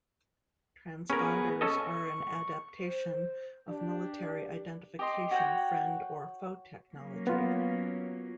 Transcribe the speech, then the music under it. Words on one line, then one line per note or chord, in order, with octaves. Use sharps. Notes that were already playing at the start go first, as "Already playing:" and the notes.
Transponders are an adaptation of military identification friend or foe technology.
B3 C#4 G#4 A#4
C#4 A4 D#5 C#6
C5
D4 G4
G4 D#5 C6
F#4 C#5 F#5 G5
F#3 A#3 C#4
B3 F4